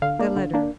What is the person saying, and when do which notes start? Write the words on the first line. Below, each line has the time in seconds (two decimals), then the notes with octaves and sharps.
The letter!
0.02 D3 F5
0.19 A#3 D4
0.36 D3
0.54 A#3 D4